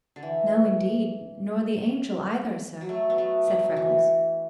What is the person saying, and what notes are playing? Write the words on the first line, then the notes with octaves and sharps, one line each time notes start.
"No, indeed; nor the Angel, either, sir," said Freckles.
D3
E3
F#3
A3
B3
A3
F#3
E3